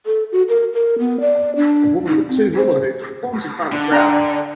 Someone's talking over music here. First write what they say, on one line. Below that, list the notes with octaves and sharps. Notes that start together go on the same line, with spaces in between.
A woman with two hula hoops performs in front of a crowd.
A4
F#4
A#4
A#4
B3
D5
D4
D#4
C4
C5
D3
D4 G5 A#5